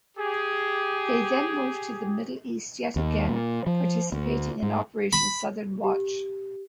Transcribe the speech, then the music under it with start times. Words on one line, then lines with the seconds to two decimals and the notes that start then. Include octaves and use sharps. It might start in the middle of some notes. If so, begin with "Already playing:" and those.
They then moved to the Middle East yet again participating in Operation Southern Watch.
0.18 G4 G#4
2.96 D#2
3.28 A#2
3.66 F3
4.12 D2
4.62 G#2
5.13 B5
5.84 G4